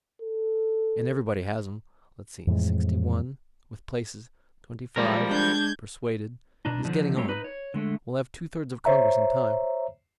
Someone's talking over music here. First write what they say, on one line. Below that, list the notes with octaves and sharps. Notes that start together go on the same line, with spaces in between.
And everybody has 'em. . . .Let's see: . . . sixty-one. . . . with places . . . twenty-five . . . persuaded--it is getting on; . . . . we'll have two-thirds of Congress in time . . .
A4
F2 A2 E3 G#3
F3 G3 G#3 A#4
D4 G6 G#6
B2 D4 D#4
D3 F3 D4 D#4
F#3 G#3 A3 C4 C#5
D#4 B4
C#5
D3 G#3 A3
C5 C#5 E5 A#5